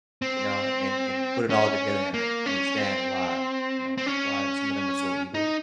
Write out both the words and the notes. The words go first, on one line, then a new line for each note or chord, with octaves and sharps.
you know, and and put it all together and and understand why you know, w why some of them are so evil,
C4
C#4
A#3
C#4
C4
C4
C#4
D#4